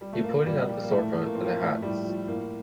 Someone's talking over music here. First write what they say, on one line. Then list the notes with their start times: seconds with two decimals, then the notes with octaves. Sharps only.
He pointed out the storefront and the hats.
0.01 G3
0.13 A3
0.24 A#2 A#3
0.46 A#2 G3
0.69 F3 G3
0.83 A#3
0.91 A2 A3
1.15 A2
1.26 A#3
1.35 F3 C4
1.45 A#3
1.59 A2 A3
1.82 A2 G3
2.05 F3
2.28 A2 A#3